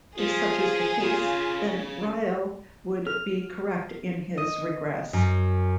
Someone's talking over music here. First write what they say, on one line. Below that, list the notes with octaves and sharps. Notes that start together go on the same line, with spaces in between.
If such is the case, then Ryle would be correct in his regress.
F3 F4 G#4
C#3 F4
F6
D#5
F#2